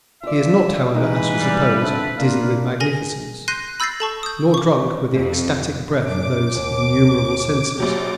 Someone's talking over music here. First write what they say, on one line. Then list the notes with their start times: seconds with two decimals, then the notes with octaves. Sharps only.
He is not, however, as you suppose, dizzy with magnificence, nor drunk with the ecstatic breath of those innumerable censers.
0.23 F4 D5 E5
0.94 E3 G#3 A#3 D#4 B4
1.37 G3
1.81 F2 D3 C4 E5 A5 B5
2.18 A#3 D4 F4 F5
2.80 G#4 A#4 G#5 A#6
3.48 C6 F#6 G6 A#6 C7 D#7
3.80 B5 E6 G6 A6 A#6 C7
4.00 A4 A5 C#6
4.23 D#6 G6
4.54 C#6 D6
5.12 F2
6.08 F#2 D4 D6
6.55 D#2
7.78 A#1 F#3 G4